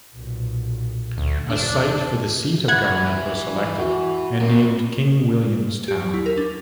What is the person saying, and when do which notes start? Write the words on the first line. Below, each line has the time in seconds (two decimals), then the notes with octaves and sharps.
A site for the seat of government was selected and named King William's Town.
0.15 B1 A#2
1.18 D2
1.50 F#1 D#2 D4
2.68 E4 B4 F#5 G#6
3.79 F#4
4.40 A2 A#3 C4
5.88 G4
6.00 F#3
6.14 E4
6.26 A#4
6.37 D4